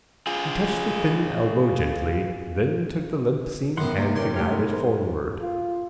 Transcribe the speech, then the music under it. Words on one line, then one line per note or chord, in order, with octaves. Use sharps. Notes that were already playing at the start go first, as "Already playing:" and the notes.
He touched the thin elbow gently: then took the limp seeing hand to guide it forward.
F4 G#4
F#2 D#3 B3 F#5 C6
D#2 C3 A#3
D#3 A#3 C#4 C#5 D5 C6
A3 D#4 G4 C#5 F5
G#3 B3 A#4
C5
F4